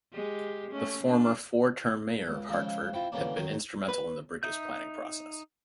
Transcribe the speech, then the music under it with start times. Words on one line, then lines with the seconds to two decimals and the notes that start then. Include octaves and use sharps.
The former four-term mayor of Hartford had been instrumental in the bridge's planning process.
0.12 G#3 G4
0.71 A3 C#4
1.04 A3 A#3 D4
2.27 C#2
2.49 C#3 F3 G#3 C#4
2.93 C4 E4 F4
3.12 D3 E3 G3 A#3 C#4 D4
3.36 D#3 F#3 A#4
3.89 B4
4.43 D#4 E5 G6